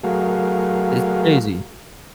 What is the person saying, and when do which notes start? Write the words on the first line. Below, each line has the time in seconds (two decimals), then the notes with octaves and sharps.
It's crazy.
0.04 F#3 A3 F#4 G#4 A#4 F5